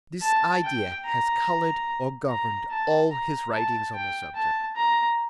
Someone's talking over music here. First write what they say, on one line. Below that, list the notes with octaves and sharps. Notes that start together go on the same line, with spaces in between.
This idea has coloured or governed all his writings on the subject.
A5
G5
A#5
A#5
A5
A#5
A5
G5
A5
A#5